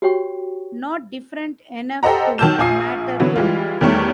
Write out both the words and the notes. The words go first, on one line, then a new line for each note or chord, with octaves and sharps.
Not different enough to matter though.
F#4 G4 C#5 G5 C#6
G4 A4 C5 D#5 F#5 A#5
D#3 F#3 A5 E6 G6 E7
A#1 F4 G#5 D#6 C7
D3 E3 F#3 B3
E3 G3 G#3 F4
E2 D#3 G3 A3 C#5